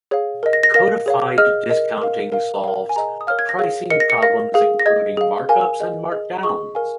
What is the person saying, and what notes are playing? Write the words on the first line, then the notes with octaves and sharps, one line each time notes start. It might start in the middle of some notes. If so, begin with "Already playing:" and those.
Codified discounting solves pricing problems including markups and markdowns.
G#4 C#5 F5
A#4 D#5
A#6
A#6
A#4 F5 A#6
G#4 C#5 F5
G#4 D#5 F6
A#4 D#5
A#4 F5
A#4 F5
A#4 C#5 F5
G#5
G#4 D#5 A#5
D#6
A#4 C#5 F5 F6
G#6
A#6
G#4 C#5 F5
A#4 D#5 C#7
A#6
C#7
A#4 F5 A#6
G#4 F5
A#6
G#4 D#5 G#6
G#4 F5
A#4 F5 G#5
G#4 D#5
G#4 D#5
G#4 D#5 C#6
A#4 F5 G#5